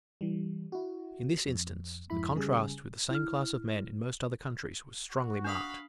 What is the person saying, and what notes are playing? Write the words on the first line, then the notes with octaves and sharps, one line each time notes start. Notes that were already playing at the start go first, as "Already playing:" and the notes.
In this instance, the contrast with the same class of men in most other countries was strongly marked.
E3 G3
E4 F#4
F2
F2 G#2 E4 B5
C#3 G3 G#4
E4 F6
F#4
D4 F5 B5 D#6